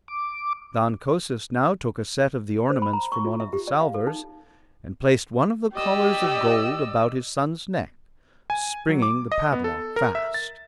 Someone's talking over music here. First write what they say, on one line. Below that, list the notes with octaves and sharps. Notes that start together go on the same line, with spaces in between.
Than Kosis now took a set of the ornaments from one of the salvers and placed one of the collars of gold about his son's neck, springing the padlock fast.
D6
C5
B5
A#5
C#6
F4
E5
G4
D5
F5
A4
D#4
G4 D5 D#5 E6
G#5
F#3
D6
D#5
B3
A4
A#4
E5
A6